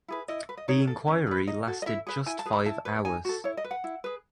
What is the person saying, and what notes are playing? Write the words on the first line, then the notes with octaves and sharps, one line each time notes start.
The enquiry lasted just five hours.
E4 G#4 B4
E4 D#5
B4
D#5
D#4 C#5
A4
C#4
G#4
B4
D#4 D#5
F#4 A4
D#5
E4 E5
G#4 B4
E4 G#5
A5
G#4 B4
B5
E4 A5
B4
D#4 G#5
F#4 A4
E4 C#5
D#5
B4
F#5
E4
G#4 B4